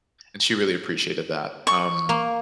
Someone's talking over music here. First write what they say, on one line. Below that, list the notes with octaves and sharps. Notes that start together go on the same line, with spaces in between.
and she really appreciated that, um,
C#6
A#3